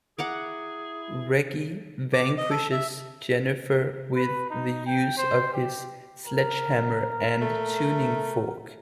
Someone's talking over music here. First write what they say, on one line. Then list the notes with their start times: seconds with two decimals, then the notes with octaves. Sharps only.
Reggie vanquishes Jennifer with the use of his sledgehammer and tuning fork.
0.19 E4 G#4 F#5 A#5 D6
2.13 D6
2.38 D#5
2.51 A4
2.72 E5
4.15 B4
4.50 D#4
4.86 G5
5.17 C5
5.53 G4
6.26 A#4
7.41 A3